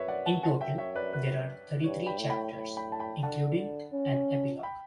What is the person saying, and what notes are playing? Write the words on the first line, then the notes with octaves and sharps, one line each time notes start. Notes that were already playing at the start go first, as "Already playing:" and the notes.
In total, there are thirty-three chapters, including an epilogue.
Already playing: F#2 B4 C#5 E5
D5 F#5
F#5 A5
F#5 A5
E5 G5
C#5 E5
B4 D5
B4
G2 C#5
G5 B5
A2
G5 B5
A2
G5 B5
A5
G5 B5
D3 F#5 A5
C#4
G5 B5